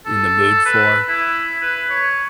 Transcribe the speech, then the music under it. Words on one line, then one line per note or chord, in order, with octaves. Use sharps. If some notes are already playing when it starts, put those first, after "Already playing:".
in the mood for.
A4
B4
E4
B4
C#5